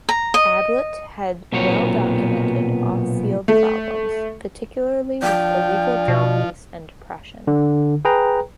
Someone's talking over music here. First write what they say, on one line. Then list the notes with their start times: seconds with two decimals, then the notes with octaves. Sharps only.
Ablett had well-documented off-field problems, particularly with illegal drug use and depression.
0.09 A#5
0.34 D#5
1.52 B1 A#2 F#3 B3 C4 C#5
3.48 A3
5.23 F3 D4 G5
6.08 B2
7.47 D3
8.05 G#4 B4 G5 A#5